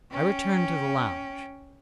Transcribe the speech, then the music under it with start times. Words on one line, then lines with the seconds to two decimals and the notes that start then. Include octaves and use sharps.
I returned to the lounge.
0.11 C#4 G5